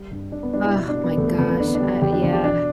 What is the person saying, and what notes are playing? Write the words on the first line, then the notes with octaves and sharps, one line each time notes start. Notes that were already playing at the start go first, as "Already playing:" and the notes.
Ugh, my gosh, uh, yeah.
Already playing: G3
G2
G2 D4
B3
G3 D4
E4
B2 E4
D4
G3
B3
E2 A3
A3
E2 B3
B3
D3 D4
B3
D4
G3
E2 G4
D4
E2 D4
G4
B2 D4